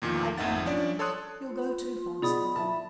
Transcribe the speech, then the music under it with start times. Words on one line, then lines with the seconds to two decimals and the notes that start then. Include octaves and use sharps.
"But I can't go; you'll go too fast for me."
0.02 E2 A#2 D#3 F3
0.38 G#1 F2 D#4 E5 F#5 A6
0.65 F3 C#4 D4 D5
0.99 A4 C#5 A5 C6 D#6 F#6
1.48 F4
2.22 B2 G#4 D5 B5 D#6
2.56 E5 A5